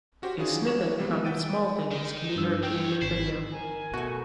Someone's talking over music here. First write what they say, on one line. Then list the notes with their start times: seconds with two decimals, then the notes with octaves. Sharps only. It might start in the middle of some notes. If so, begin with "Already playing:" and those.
A snippet from "Small Things" can be heard at the end of the video.
0.22 C#4 F#4 G4 C5
0.38 F#3 D4 E4 F4 G#4
0.67 G3 A#3 C#5 C#6 E7
0.99 C3 F3 G3 G#3 A#3 B3
1.25 E5 F#5 G5 A6 D7 D#7
1.91 D#3 D#4
2.36 G2 E6
2.63 C4 C#5 G5
3.02 G#1 E4 C7
3.52 A#4 G#5
3.94 B2 A3 F#4